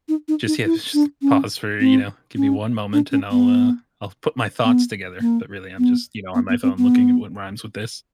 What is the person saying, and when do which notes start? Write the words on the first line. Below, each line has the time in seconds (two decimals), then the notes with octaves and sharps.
Just yes, p pause for, you know "Give me one moment, and I'll, uh I'll put my thoughts together." But, really, I'm just, you know, on my phone looking at what rhymes with this.
0.08 D#4
0.28 D#4
0.47 D#4
0.65 E4
0.94 D4
1.22 C#4
1.80 C4
2.36 C#4
2.93 D4
3.11 C#4
3.31 B3
4.64 B3
5.20 A#3
5.78 B3
6.34 B3
6.49 B3
6.63 C4
6.77 B3